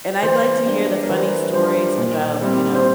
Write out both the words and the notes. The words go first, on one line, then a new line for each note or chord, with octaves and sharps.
And I'd like to hear the funny stories about, you know,
E3 C5
G3 D4
A#4
E3 C5
G3 D4 C5
A#2
G3 C4 E4
C5